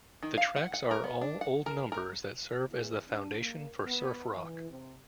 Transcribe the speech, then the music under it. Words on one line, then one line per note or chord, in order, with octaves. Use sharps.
The tracks are all old numbers that serve as the foundation for surf rock.
D#3
F5
F#5
F#5
A#4
B3
D4
F#5
A#4
A#4
E2
D4
A#3
B3
E3
C3